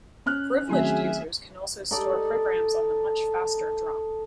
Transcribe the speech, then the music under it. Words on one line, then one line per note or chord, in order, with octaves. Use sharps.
Privileged users can also store programs on the much-faster drum.
C#4 F6 F#6
D#3 F#3 A3 C4 G#4 E5
D#4 A4 D5